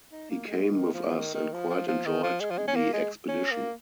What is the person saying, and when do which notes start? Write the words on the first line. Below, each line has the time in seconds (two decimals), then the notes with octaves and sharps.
He came with us and quite enjoyed the expedition.
0.12 D#4
0.29 A#3
0.47 G#3
0.71 D#3
0.94 F3
1.17 D#3
1.34 D#3
1.53 F3
1.70 F3
1.88 F3
2.05 D#3
2.23 F3
2.41 G#3
2.50 F3
2.58 G#3
2.67 C#4
2.76 A#3
2.93 G#3
3.28 C#4
3.51 A#3